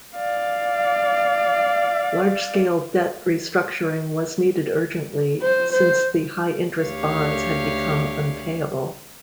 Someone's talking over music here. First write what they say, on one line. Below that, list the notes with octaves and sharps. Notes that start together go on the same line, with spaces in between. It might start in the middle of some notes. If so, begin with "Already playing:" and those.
Large-scale debt restructuring was needed urgently, since the high-interest bonds had become unpayable.
D5 F5
C5
C5
D2 G4 C#5 F5